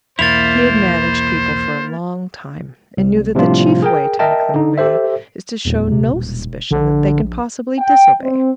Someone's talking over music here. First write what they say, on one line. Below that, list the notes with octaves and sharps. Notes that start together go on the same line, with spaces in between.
He had managed people for a long time and knew that the chief way to make them obey is to show no suspicion that they can possibly disobey.
B1 E2 A#3 E4 C5 A6 F7
C2
A2 C3 F3 G3 D4 F4
G#4 A#4 G5
A#4 D#5 E5 G5 A5
D3 D#4
G4 A4 C5 E5
D#1 E2
C3
E1
A#1 D3
G5
C4